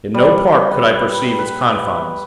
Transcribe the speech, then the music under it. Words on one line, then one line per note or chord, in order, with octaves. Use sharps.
In no part could I perceive its confines.
G3
B4
B4